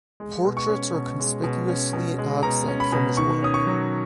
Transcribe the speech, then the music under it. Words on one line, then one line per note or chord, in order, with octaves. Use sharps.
Portraits are conspicuously absent from his work.
G#3
B2
C#6
C#4
B2
G#3
B2
C#4
B2
G#3
B2 A#5
C#4
B5
B2
D#3 C#6
C#4 D#6
C#6
F#3